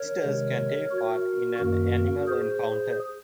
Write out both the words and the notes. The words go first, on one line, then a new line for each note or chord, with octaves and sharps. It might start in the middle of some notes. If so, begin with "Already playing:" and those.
Visitors can take part in an animal encounter.
Already playing: A#4 C#5
C3 D#3 G#3
F#4 A#4
F#2 D#3 A#3 F#4 A#4
G#4 C5